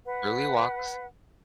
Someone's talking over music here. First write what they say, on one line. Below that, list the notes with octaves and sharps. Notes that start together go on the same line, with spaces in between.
Early walks.
B4 F#5